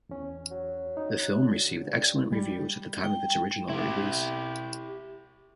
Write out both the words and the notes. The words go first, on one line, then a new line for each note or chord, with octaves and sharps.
The film received excellent reviews at the time of its original release.
E2 C#4
F#3
D#4
F#6
D3
G2
G3
G5
E4 G4